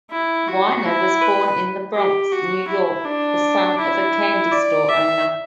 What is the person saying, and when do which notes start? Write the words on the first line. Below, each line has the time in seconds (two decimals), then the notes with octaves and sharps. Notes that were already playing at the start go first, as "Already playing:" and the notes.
Weiner was born in the Bronx, New York, the son of a candy-store owner.
0.11 E4
0.47 F#4
0.85 E4
1.21 B4
1.95 G4
2.32 F#4
2.68 E4
3.05 D4
3.79 E4
4.52 D5
4.88 E5